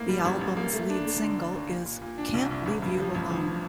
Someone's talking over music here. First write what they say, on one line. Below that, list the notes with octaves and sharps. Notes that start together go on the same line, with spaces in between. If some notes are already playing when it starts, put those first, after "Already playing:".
The album's lead single is Can't Leave U Alone.
Already playing: A2 A#3
G3
A1
A1
A#3
A3
D4
A3
D3
D4
D#2
A#2
A#2
A#2
D4
C2
C2
A1
G2
F3
A1
F3